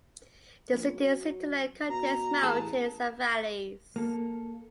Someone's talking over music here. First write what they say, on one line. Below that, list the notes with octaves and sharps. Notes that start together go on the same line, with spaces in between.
The city's hinterland contains mountains and valleys.
A#1
F#3
B2 A#5
A1 G#4 B4 A5
A#3 A4